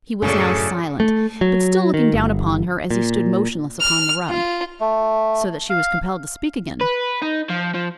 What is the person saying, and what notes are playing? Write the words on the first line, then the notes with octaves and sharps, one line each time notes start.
He was now silent, but still looking down upon her as he stood motionless upon the rug,--so that she was compelled to speak again.
F#2 A2 C#3 A4 D5
A3
F#3
D#3
G1
A#2
F6
F4
A3
F5
B4
D#4
F3
F3